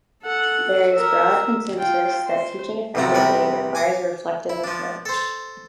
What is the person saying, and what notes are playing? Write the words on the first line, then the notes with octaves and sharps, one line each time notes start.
There is broad consensus that teaching effectively requires a reflective approach.
A4 F#5
A#4 E5
F4 G5
C5
A1 F2 C3 F#3 A3 A#5
E2 C3 G3 A#4 B4
G#5 D6 D#6
E4
F3 D4
A4 C5